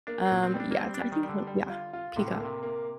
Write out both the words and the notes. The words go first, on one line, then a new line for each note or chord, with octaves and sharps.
um, yeah, I think so, yeah, Peacock,
A#3 D4
C4
A#2
C4
G3
D4
A#3
G3 C4
D4
G3
D#3
G3
D3
G3
F4
F4
A2 C3
D3
C3 A#3
A#3